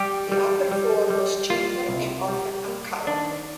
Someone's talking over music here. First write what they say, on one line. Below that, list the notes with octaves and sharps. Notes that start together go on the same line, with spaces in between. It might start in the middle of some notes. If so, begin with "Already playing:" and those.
The upper floor was cheaper and often uncovered.
Already playing: G3 G4
G3
G3
G3
A#3 F4
C2
G3
A#3
D#3 D4